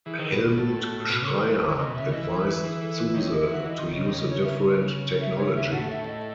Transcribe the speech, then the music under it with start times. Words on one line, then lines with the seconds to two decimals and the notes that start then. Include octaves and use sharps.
Helmut Schreyer advised Zuse to use a different technology.
0.06 E3 G#4
0.19 D#3
0.31 B2 F#4
0.45 B2
0.58 A2
1.09 B2 F#4
1.22 C#3 A4
1.35 D#3
1.44 E3 B4
1.60 E3 C#5
1.73 C#3 D#5
1.87 B2
1.95 C#3 E5
2.12 E3 D#5
2.30 C#5
2.46 B4
2.63 G#4
2.81 A4
2.98 B4
3.14 D#3 C#5
3.28 E3 D#5
3.41 E3
3.50 F#3 E5
3.66 E3 D#5
3.79 D#3
3.92 C#3 D#5
4.05 D#3
4.11 C#5
4.17 C#3 D#5
4.30 C#5
4.43 E5
5.21 E5
5.38 C#5
5.55 E5
5.72 A2 F#5
5.90 E5
6.07 D#5